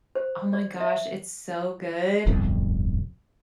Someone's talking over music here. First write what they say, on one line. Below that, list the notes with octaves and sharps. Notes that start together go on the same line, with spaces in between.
oh, my gosh, it's so good,
C5
D5
E5
D1 G1 C2 F2